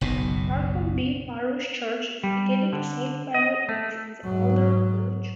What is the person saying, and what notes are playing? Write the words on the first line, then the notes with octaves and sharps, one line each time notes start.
Barcombe parish church is dedicated to Saint Mary, and is in the older village.
F#1 B1 B2
G3
D3
D#5
A3
G#2 F#3